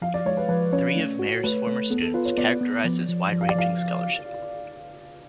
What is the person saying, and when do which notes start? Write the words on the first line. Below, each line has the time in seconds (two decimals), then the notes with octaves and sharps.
Three of Mair's former students characterize his wide-ranging scholarship.
0.02 F3 F5
0.14 D5
0.26 G#3 C#5
0.37 B4
0.49 F3 B4
0.73 C#4 C#5
0.96 A3
1.19 F#4
1.44 A3 B4
1.67 A3
1.90 B3 A4
2.02 A4
2.14 F4 B4
2.25 C#5
2.37 B3 D5
2.61 B3
2.84 F3
3.09 F3
3.32 F3
3.41 F5
3.50 D5
3.55 F3 F5